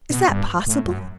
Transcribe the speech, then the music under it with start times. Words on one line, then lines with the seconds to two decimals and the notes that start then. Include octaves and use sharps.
Is that possible?
0.10 B2
0.29 G2
0.67 A2
0.85 F#2